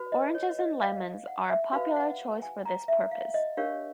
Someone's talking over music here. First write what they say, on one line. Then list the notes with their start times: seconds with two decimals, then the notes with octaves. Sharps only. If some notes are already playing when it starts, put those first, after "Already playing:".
Oranges and lemons are a popular choice for this purpose.
Already playing: F#4 B4
0.12 D#5
0.35 C#5
0.59 D#5
0.81 F5
1.27 F#5
1.50 E5
1.73 F#4 B4 F5
1.96 F#5
2.42 G#5
2.65 A#5
2.88 E5
3.11 F5
3.34 D#5
3.57 D4 G4 A#4 C#5 F5